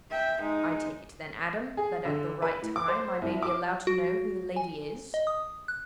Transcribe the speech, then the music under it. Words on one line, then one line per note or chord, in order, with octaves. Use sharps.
"I take it then, Adam, that at the right time I may be allowed to know who the lady is?"
E5 G5
G#3 D#4
G#4
D3
B4
A2
D6
C5
C2
D6
F#4
G#5
D#5
D#6
F#6